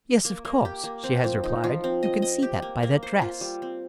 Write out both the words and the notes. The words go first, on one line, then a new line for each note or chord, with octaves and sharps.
"Yes, of course," she has replied; "you can see that by their dress."
A#3
A#3
G4
A#3
C4
F3
D#4
F3
C4
D#5
D#5
G4
A#3
A#3
C5
F4
G3
C4